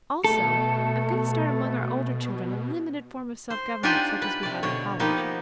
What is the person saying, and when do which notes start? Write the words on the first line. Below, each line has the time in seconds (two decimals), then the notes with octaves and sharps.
Also I am going to start among our older children a limited form of self-government such as we had in college.
0.24 B2 A3 A4
3.50 C5
3.83 D4 D#4 F4 G4 F#5 G#5
4.22 B4
4.43 C3 D5
4.63 B2 D3 C#5
4.99 F3 A#3 B3 D#4 G4